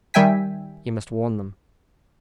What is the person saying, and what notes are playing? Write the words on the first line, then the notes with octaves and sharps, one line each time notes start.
He must warn them.
D#3 G3 E5 G5 G#5 B6